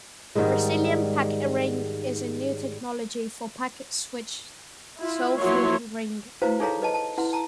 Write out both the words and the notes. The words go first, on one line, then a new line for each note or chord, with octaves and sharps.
Resilient Packet Ring is a new technology for packet-switched self-healing ring networks.
G#2 D#3 G3 G#3
E4 F4
F3 F#3 A#3 E4 C#5 C6
E4 F#4 B4 C5 F5 A#5
D#4 G#4 A4 C#5 F5 A#5
B4 D#5 A5
A5
E4 B4 F#5 C6
A5 A#5